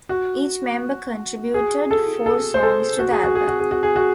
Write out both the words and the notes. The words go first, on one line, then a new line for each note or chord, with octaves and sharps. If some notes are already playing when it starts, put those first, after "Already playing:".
Each member contributed four songs to the album.
F#4
G#4
A4
A4
C5
A4
F#4
G#4
F#4
G#4
F#4
G#4
F#4
G#4
F#4